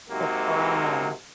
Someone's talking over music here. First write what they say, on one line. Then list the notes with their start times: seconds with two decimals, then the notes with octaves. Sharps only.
The bra.
0.10 G#2 C3 F#3 G#3 A#3